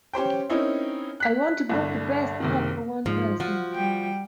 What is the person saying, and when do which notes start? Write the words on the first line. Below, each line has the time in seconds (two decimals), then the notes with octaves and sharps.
I want to book the best pub for one person.
0.13 C#4 G4 C5 G5
0.50 C4 C#4 D#4 E4 A#4
1.20 F#6 B6
1.70 C2 G2 D3
2.40 F#1 C3 D#3
3.06 G#2 F3
3.40 F3 F#4
3.74 G3 G5